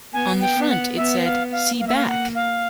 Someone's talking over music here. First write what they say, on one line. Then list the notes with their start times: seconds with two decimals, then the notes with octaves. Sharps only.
On the front it said "see back".
0.13 B3 G#5
0.41 G5
0.55 B3
0.69 F#5
0.96 B3 E5
1.24 F5
1.52 F5
1.80 A#3 F5
1.87 E5
1.95 F5
2.08 F#5
2.35 F5